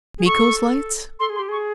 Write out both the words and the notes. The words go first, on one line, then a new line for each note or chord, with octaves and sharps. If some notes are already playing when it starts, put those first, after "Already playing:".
Miko's lights?
G#4
A4 C#6
A4 C6
G#4
C6
G4
G#4 C#6